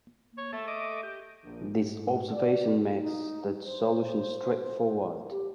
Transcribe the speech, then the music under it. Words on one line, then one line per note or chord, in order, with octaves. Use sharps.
This observation makes the solution straightforward.
C#5
A3 A4
D#5 D6
G4
A#1
G#2
D5
D#4
C5
G4